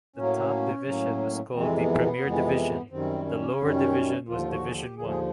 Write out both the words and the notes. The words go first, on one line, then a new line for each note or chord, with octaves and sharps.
The top division was called the Premier Division, the lower division was Division One.
A2 F#3 A#3 C#4
A2 F#3 A#3
F2 C3 E3 G#3 C4
B3
B3
F2 C3 E3 G#3
F#2 D#3 G3 C4
C#4
F#2 D#3 G3
D#2 D3 F3 F4
F#4
G#4
G4
D#2 D3 F3 G#4
G#4